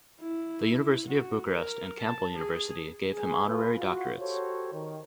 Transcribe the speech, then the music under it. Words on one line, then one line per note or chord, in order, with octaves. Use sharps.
The University of Bucharest and Campbell University gave him honorary doctorates.
E4
F#4
A#4
A5
G#4
G#4
F4 B4
F4 F#4
F#4 G4 A4 C5 C#5
D#3